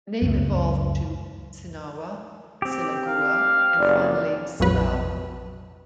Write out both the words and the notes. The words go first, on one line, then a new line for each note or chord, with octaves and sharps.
The name evolved to 'Sinaua', 'Silagua' and finally 'Silao'.
C#2 F#2
C4 G4
F5
F#1 D5
A#1 F2 F#3 B4